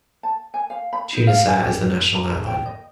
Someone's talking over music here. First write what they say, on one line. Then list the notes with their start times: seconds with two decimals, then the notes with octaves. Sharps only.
Tunisair is the national airline.
0.23 A5
0.54 G#5
0.70 F5
0.93 B5
1.13 D#4
1.27 F5
1.47 G#5
1.61 G4
1.79 A#4
2.15 A#5
2.47 G5
2.66 D#5